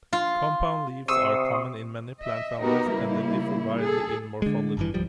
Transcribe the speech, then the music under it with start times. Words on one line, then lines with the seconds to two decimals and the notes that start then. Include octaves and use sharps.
Compound leaves are common in many plant families and they differ widely in morphology.
0.13 F4
1.08 C3 C6 C#6 D#6 E6
2.18 D#5 E5
2.60 B3 D#4 F#4 G4 A#4 B4
2.90 C#3 G3 A#3 E4
3.81 G#4 A4
4.42 D3 G#3
4.77 G#1 G2 E3
4.94 D1 F3 G3